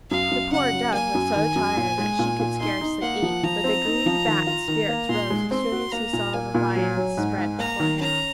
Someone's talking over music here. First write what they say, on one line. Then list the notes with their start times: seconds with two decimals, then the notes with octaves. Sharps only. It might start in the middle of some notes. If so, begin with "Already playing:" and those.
The poor Dove was so tired that she could scarcely eat, but the greedy Bat's spirits rose as soon as he saw the viands spread before him.
0.10 F#2 F5
0.31 F#2
0.52 C#3 F#5
0.73 F#3
0.94 A#3 G#5
1.14 F#2
1.35 D#3
1.56 F#2
1.77 A#2
1.98 G#3
2.19 A#2
2.39 A#2
2.59 D#4 C6
2.81 D#4
3.02 A#3 F#5
3.22 F3
3.43 F3 A#5
3.64 C4
3.85 D#4
4.06 F3
4.26 D#3
4.47 F4
4.68 D#3
4.88 A#3
5.09 A#2 C6
5.30 G#3
5.51 C4 C6
5.72 F#4
5.92 A#3 A#5
6.13 A#2
6.34 A#3 G#5
6.54 A#2
6.76 F#3
6.97 F#3
7.17 G#2
7.38 G#2
7.59 A#3 A#5
7.80 D#3
8.00 C#4 A#5